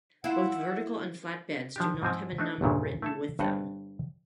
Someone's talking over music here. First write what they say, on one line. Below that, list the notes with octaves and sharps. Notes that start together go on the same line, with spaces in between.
Both vertical and flat beds do not have a number written with them.
E4 F4 E5 F#5
F3 D4 G4
G#2 F3 C4 G#5
A3 D4 D#4
G1 E2 A#2 C#3
A3 E4 A4
G1 G2 C5 D#5 F#5